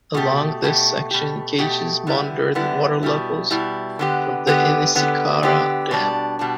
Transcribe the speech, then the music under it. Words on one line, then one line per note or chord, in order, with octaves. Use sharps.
Along this section gauges monitor the water levels from the Inniscarra Dam.
B2 A3 G4
B2 A3 G4
B2 A3 G4
B2 A3 G4
D3 G3 B3 E4
D3 G3 B3 E4
B2 G3 E4
B2 G3 E4
D3 B3 G4
D3 B3 G4
D3 B3 G4
D3 B3 G4
B2 G3 D4
B2 G3 D4